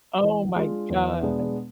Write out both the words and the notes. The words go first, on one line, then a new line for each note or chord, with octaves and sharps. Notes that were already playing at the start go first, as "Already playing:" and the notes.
Oh my God.
E3
G#3 D4 F4
E2
B2 G#3 B3 D4